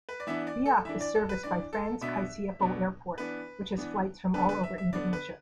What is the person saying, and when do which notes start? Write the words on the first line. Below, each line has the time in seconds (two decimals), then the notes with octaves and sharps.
Biak is serviced by Frans Kaisiepo Airport, which has flights from all over Indonesia.
0.09 B4
0.20 D5
0.27 E3 B3 D4 E5
0.47 D5
0.66 A4
0.85 E3 D4 E5
1.01 D5
1.15 A4
1.29 B4
1.43 E3 D4 D5
1.73 A4
2.01 B2 B3 D4 E5
2.60 B2 B3 D4
3.18 E3 B3 D4 B4
3.77 E3 B3 D4
4.34 D3 B3 D4 B4
4.49 B4
4.63 E5
4.78 E5
4.93 D3 B3 D4 D5
5.13 B4